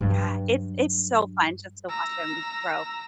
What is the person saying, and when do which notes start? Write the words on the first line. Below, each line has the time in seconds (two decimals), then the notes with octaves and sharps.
Yeah, it's it's so fun just to watch them grow.
0.01 G2 F#3
1.89 A#5 E6